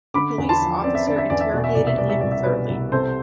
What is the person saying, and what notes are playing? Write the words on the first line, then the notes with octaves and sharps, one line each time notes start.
The police officer interrogated him thoroughly.
D3 B5 D6
E2
A5 C6
F3
C4 D5
E5
D3 D5
E5
E2 D5
E5
B2 D5
E5
C2 D5
E5
G3 D5
E5
C2 D5
E5
B2 B4 D5
C2
C3 A4 C5